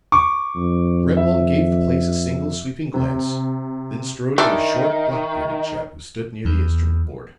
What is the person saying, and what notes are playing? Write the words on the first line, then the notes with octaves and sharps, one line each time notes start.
Reblong gave the place a single sweeping glance, then strode to a short, black-bearded chap who stood near the instrument board.
C#6 D6
F2
E5
C3
D#3 E3 D4 A#4 E5
E2